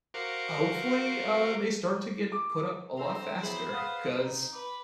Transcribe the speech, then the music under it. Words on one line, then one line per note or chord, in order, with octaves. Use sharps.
hopefully, uh, they start to get put up a lot faster 'cause
F#4 A#4 C5 F5 C#6 D6
D6
D3 C4 C5 A#5 E6 A#6
E3 F#3 B3 G#4 B5
B4 F5 F#5 D#6
D#4
B4 D6